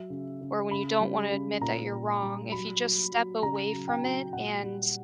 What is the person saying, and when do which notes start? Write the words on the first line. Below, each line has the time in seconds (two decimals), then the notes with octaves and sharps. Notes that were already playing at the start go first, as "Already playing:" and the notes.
or when you don't wanna admit that you're wrong, if you just step away from it and
Already playing: F#3 E5
0.10 C#3
0.41 C#3
0.71 C#3 B5
1.01 G3
1.31 C#3
1.61 A#2 A#5
1.91 A#2
2.22 G3
2.51 F#3 B5
2.83 F#3
3.12 F#3
3.42 C#3 A#5
3.73 F#3
3.88 G5
4.03 F#3
4.33 A#2 F#5
4.63 G3